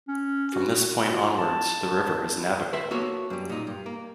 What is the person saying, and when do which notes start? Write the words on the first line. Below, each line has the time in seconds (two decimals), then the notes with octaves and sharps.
From this point onwards the river is navigable.
0.08 C#4
0.54 F#4
1.12 F4
1.38 A5
2.73 B4 C5 E5
2.91 A#3 B3 F#4 A4 C#5
3.30 F#2 G3
3.49 A#2 D#4
3.67 G2
3.86 A#3